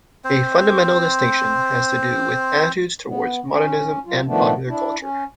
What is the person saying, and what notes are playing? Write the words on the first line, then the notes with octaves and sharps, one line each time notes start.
A fundamental distinction has to do with attitudes towards modernism and popular culture.
C4 C5
B3
C#4
F#3 F4
D#3 F3 A3 B3 D4
D4 E4
C#4